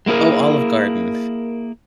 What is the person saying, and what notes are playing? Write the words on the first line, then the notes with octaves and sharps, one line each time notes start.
Oh, Olive Garden.
G#3 A#3 E4 G#4 A#4